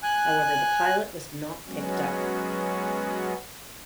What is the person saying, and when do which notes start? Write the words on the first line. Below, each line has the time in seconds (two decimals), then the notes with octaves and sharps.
However, the pilot was not picked up.
0.03 G#5 F#6
1.65 F#3 G#3 B3 C#4 F#4